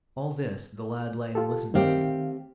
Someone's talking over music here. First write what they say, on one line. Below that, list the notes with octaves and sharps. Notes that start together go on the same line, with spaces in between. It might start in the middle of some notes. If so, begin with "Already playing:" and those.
All this the lad lay and listened to.
F4 G4 A4
D#3 A3 C4 G4 F5